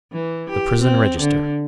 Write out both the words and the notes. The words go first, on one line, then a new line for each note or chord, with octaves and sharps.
The Prison Register.
E3
G4
C4
D3